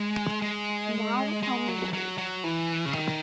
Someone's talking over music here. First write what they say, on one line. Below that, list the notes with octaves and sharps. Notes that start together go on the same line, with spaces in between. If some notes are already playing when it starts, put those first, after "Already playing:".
Now tell me yours.
Already playing: G#3
G#3
G#3
F#3
F#3
F#3
E3
C#3
D#3